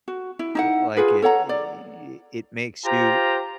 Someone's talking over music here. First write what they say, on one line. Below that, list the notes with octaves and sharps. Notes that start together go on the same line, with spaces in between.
l like, it i i it makes you
F#4
E4
D#4 E4 F#5
F4 G#4 B4
A4 C#5 F#5 A#5
D5
F4 G4 C5 A#5